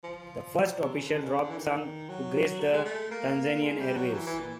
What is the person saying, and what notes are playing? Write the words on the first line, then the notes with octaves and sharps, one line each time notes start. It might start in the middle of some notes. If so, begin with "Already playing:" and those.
The first official rap song to grace the Tanzanian airwaves.
F3
F#3
F3
C3
C#3
D3
C#3
D3
E3
D#3
F#3
A3
G#3
A3
A#3
G#3
G3
F#3
E3
E3
A#2